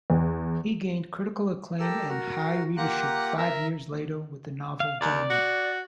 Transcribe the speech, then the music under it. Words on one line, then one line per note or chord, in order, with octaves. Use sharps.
He gained critical acclaim and high readership five years later with the novel, "Gentlemen".
E2
G4 A4 A#4 E6
F#4 A#4
A#3 F4 G4 F#5 A#5 F#6
A#4 E5
F5
D#2 D5
F#4